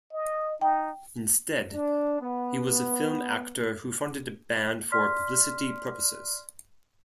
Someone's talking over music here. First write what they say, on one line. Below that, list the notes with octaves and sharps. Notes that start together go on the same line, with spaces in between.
Instead, he was a film actor who fronted a band for publicity purposes.
D#5
D#4 G5
D4
B3
D5 C6 F6 B6